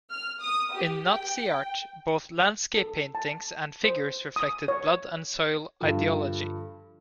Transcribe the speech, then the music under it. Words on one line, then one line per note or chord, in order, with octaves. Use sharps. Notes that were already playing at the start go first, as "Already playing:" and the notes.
In Nazi art, both landscape paintings and figures reflected "blood-and-soil" ideology.
F6
D#6
G4
G5
A4
A5
C5
D#6
C#5
G2 D3 F3